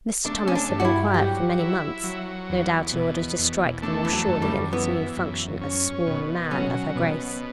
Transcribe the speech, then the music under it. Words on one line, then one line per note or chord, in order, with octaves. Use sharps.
Mr. Thomas had been quiet for many months, no doubt in order to strike the more surely in his new function as "sworn man" of her Grace.
A3 D4
C#4
D4
G2
F#4
E4
F#3 G4
E4
F#3
E2
B2
E2
A3 D4
E3
F#3
F#2
G3
E3 B3
F#2
C#4
B2
F#3 C#4
B2